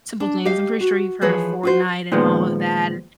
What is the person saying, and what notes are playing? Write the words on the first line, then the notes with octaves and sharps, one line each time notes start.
simple things, I'm pretty sure you've heard of Fortnite, and all of that, s
D4
G4 D#5 F5
F#4
E3 F3 G#4 B4 C#5
F4 F#4 C5
A#2 D#3 F3 G#3 B3